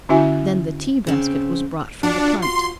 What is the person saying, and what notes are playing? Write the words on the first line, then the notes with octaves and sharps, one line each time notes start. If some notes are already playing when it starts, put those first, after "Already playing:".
Then the tea-basket was brought from the punt.
D3 C#4 E4 F#4 E5 G#5
C#3 C4
D4 F4 F#4
C6